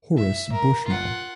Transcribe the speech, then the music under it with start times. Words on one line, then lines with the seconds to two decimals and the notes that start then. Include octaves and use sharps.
Horace Bushnell.
0.17 E5
0.53 A#4
0.86 F4 F#5